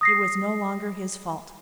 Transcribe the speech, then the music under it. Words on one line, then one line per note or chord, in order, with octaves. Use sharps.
It was no longer his fault.
D#6 A#6 C7